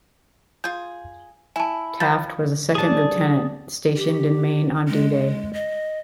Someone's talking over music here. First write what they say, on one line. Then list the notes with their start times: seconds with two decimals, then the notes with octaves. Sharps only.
Taft was a second lieutenant stationed in Maine on D-Day.
0.64 F4 G#4 G6
1.56 E4 G#5 A5
2.00 F3 B5 G6 A6
2.75 G3 D4 G#4 A5
3.96 G4
4.88 G#3
5.54 D#5